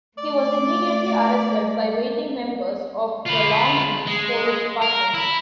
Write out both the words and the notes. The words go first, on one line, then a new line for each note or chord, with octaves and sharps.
He was immediately arrested by waiting members of the Long Beach Police Department.
A3 D5
F4 B4
G#3
A#4
E4